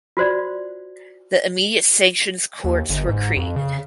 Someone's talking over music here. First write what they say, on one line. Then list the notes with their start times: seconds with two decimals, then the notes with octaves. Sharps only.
The immediate sanctions courts were created.
0.17 F4 F#4 C5 D5
2.64 D#2
2.89 G1
3.09 G#2
3.37 F2
3.56 C#3